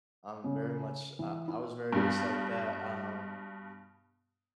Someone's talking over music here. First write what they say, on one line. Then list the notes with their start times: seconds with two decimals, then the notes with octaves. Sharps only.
I'm very much I I was very much like that, um
0.44 C#3
1.19 E3
1.48 E4
1.93 G2 B2 G3